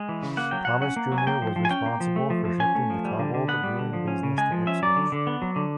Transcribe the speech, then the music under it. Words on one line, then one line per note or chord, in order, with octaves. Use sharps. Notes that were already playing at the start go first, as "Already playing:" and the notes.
Thomas junior was responsible for shifting the Cobbold brewing business to Ipswich.
Already playing: G#3
E3
C#3
A#3 F#5
F#3 G5
F#3 F#5
C#4 F#5
A#3
F#3
G#5
A#3 G5
F3
F3
G#5
C#4 G5
A#3
F3
A3
F3
F3
C#4 G#5
A3
F3
G3
D3
D3
B3 F#5
G3
D3
F3
C#4
C#3
G#3 G#5
F3
C#4 E5
F#3 D5
D3
D3
B3
F#3
D3